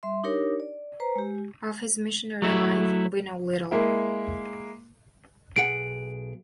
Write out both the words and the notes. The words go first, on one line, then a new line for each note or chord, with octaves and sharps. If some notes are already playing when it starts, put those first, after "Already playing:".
Of his missionary life we know little.
G3 E5 C6
D4 D#4 G4 A#4 C#5
D5
B4 C5 A#5
G#3 G4
F#3 A3 E4
G#3 A#3 E4
B1 G#4 F#5 D7